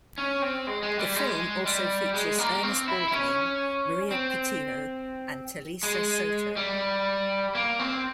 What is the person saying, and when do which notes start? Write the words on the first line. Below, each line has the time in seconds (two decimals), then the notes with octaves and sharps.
The film also features Ernest Borgnine, Maria Pitillo, and Talisa Soto.
0.18 C#4
0.42 C4
0.67 G#3
0.83 G#3
0.99 G3
1.16 G#3
1.66 G3
2.14 G#3
2.38 A#3
2.63 C4
2.88 E4
3.08 E4
3.12 C#4
4.11 C4
5.83 G#3
6.57 G3
7.55 A#3
7.79 C4